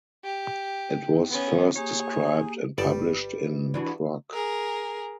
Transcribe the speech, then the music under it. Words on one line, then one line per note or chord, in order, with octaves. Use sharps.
It was first described and published in Proc.
G4
B3 C#4
A#3 G4 G#4 C#5
G1 G3 B4 D5 A5
E3 D4 F#4
G#4 A#4